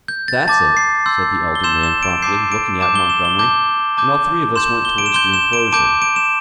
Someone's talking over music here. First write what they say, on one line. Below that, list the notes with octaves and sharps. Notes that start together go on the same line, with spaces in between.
"That's it," said the elder man, promptly, looking at Montgomery; and all three of us went towards the enclosure.
G6
A6
A5 D6 G6 A6
C7
C6 E6 G6
G7
C6 E6 G6 E7
E7
D7
A5 D6 G6 C7
D7
A5 D6 G6 E7
G7
E7
G7
A5 D6 G6
A5 D6 G6
C6 G6 E7
G7
D7
E7
C6 G6 G7
E7
D7
A5 D6 G6 D7
D7
E7